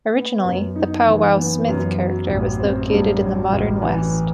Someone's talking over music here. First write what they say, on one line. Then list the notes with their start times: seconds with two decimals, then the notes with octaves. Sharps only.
Originally, the Pow Wow Smith character was located in the modern West.
0.14 B3
0.44 F#2
0.76 D#4
1.06 E3
1.37 B3
1.68 F#2
1.98 F#3
2.29 A1
2.60 C4
2.90 G2
3.21 F#3
3.52 A1
3.82 E3